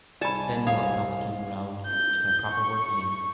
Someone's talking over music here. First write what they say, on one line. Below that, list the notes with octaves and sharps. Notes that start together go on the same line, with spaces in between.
Then my thoughts came round to my proper work again.
C2 G#2 D5 G#5 A5 B5 C#6
A4 C#5 F5
G6
C#6